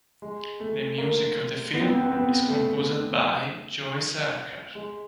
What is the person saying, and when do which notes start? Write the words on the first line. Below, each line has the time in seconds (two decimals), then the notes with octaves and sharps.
The music of the film is composed by Joy Sarkar.
0.22 G#3
0.60 A3
0.98 A#3
1.74 B3
1.81 C4
1.89 B3
1.97 C4
2.04 B3
2.12 C4
2.20 B3
2.48 A3
4.75 G#3